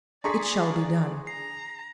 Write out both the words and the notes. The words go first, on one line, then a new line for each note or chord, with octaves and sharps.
"It shall be done!"
D4 G#4 D5 A#5 C6 C#6 B6
A#5 C7